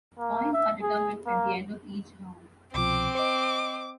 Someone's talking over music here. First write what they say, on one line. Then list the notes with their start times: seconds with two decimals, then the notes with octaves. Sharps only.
Points are determined at the end of each round.
0.18 A#3
0.53 E5
0.82 G#4
1.26 A#3
2.74 C2 B2 F3 C4 D6
3.15 C5 D#5 D6